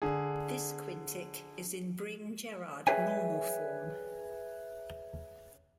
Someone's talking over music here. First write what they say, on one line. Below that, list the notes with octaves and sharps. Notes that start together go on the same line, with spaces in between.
This quintic is in Bring-Jerrard normal form.
D3 G#4
G#4 B4 C#5 E5 G5 G#5